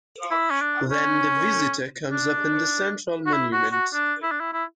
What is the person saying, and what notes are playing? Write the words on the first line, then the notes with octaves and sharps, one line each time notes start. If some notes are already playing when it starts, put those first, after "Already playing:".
Then the visitor comes upon the central monument.
E4
C#4
D4
C#4
D4
F#4
E4
F#4
F#4
D4
E4
D4
E4
E4